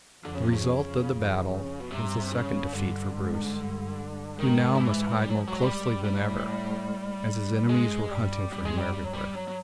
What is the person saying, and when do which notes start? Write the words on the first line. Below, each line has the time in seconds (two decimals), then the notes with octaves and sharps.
The result of the battle was a second defeat for Bruce, who now must hide more closely than ever, as his enemies were hunting for him everywhere.
0.25 F2 D3
0.35 C#3
0.43 C3
0.53 C#3
1.08 F2
1.80 B2
1.91 G2 C3
2.32 C#3
2.73 G2 D3
3.15 G#2
3.56 G2
4.39 G#2 D#3
4.75 F3
4.80 E3
5.21 G3
5.30 F#3
5.39 F3
5.48 F#3
5.63 G3
6.04 A2 G3
7.69 G#2 G#3
8.11 G2 G3
8.52 G2 G3
8.65 G#3
8.78 G3
8.93 G3
9.04 F#3
9.13 G3
9.35 F#3
9.48 F#3